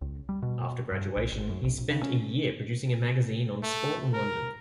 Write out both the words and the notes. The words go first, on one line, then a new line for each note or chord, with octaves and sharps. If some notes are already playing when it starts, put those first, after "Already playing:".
After graduation, he spent a year producing a magazine on sport in London.
C#2
G3
B2
G2
B1
G#1
F#2
A#1
A#1
C#3
C#4
A3
A#4